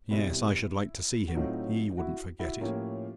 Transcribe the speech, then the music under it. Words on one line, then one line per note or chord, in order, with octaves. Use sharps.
Yes, I should like to see him. He wouldn't forget it.
B2 G3 C4 E4
F#4
A2 F#3 A3 C4 D#4 F4
E4 F#4
E4 F#4
A2 F3 A#3 C#4 F4 G4